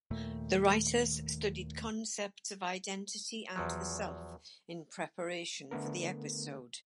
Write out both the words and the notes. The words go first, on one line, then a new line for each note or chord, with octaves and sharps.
The writers studied concepts of identity and the self in preparation for the episode.
D#2 A#2 D#3 A3
E2 F3 F#3
D3 A3 B3 A#4